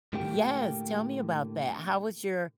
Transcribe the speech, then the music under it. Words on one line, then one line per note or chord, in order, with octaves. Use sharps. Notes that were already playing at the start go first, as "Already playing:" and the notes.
Yes, tell me about that, how was your
A2 D3 A3 A#3 G4 G5